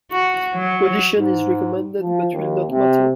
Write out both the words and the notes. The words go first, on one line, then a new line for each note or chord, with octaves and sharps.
Audition is recommended but will not matter.
F#4
F#3
G#2
F3
D#2
C3